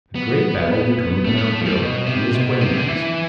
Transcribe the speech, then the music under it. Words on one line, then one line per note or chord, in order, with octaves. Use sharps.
The great battle between Pinocchio and his playmates.
B3
A3
B3
A3
F3
G3
B2
C3
B2
C3
D3
E3